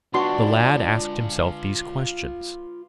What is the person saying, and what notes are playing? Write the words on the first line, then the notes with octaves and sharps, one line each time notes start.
The lad asked himself these questions.
D4 F4 F#4 B4 C6